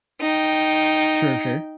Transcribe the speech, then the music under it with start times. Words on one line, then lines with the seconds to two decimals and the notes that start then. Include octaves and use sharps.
Sure, sure.
0.21 D#4 G5